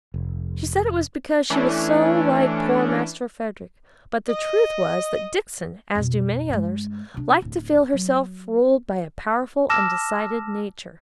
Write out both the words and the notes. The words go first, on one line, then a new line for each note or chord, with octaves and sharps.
She said it was because she was so like poor Master Frederick; but the truth was, that Dixon, as do many others, liked to feel herself ruled by a powerful and decided nature.
F1
E3 A3 C#4 D4
D#5 D#6
F2 B2
G2 G#3
C3 D4
D1
F#3
A5 D6 E6 F6 A#6 E7